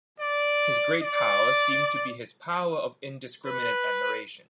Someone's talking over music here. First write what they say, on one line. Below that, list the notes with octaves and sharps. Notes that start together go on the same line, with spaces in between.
His great power seemed to be his power of indiscriminate admiration.
D5
D5
B4